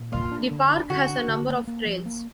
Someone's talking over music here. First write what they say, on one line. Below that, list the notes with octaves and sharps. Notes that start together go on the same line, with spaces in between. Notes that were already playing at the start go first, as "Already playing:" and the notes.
The park has a number of trails.
Already playing: A#2
A#3 F4
D4
D3
D4
D3 F#4
D4
D3
A#3
A#3
F3
A#3